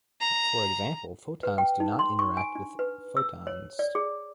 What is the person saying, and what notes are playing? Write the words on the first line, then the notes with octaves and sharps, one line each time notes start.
For example, photons do not interact with photons.
A#5
B4
G5
D#4
C6
C#6
G#5
D4
B4
E6
C#5
D5
G#4